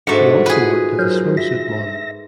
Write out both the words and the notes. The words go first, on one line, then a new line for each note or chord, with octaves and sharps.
She also worked as a swimsuit model.
G#2 D#3 F3 A3 D4 F#4 A4 F#5
F4 F#4 G#4 B4
F#3 A#4 C5
G2 E4 E5 A#6